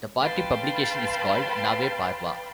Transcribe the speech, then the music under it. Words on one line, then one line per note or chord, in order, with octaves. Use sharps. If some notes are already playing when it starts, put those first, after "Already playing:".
The party publication is called "Nave Parva".
B4 F5 G5 A5 B5 C6